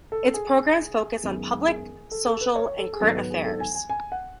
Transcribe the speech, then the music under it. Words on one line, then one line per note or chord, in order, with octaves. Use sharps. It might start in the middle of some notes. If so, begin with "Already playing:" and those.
Its programs focus on public, social and current affairs.
A4
G#4
F#2 D#3 G#3 B3
G#4
A4
A4
B4
C#5
A4
G#4
G#2 D#3 F#3 B3 A4
B4
G#4
A4
G#5
G#5
G#5
F#5